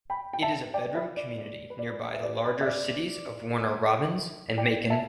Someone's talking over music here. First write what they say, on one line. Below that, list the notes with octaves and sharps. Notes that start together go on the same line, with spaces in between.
It is a bedroom community nearby the larger cities of Warner Robins and Macon.
G5 B5
G5
E5 A5
D5 G5
B4 E5
D5
D5
B4
D5
B4
E5
D5
B4
E5
D5
D5 G5
E5 A5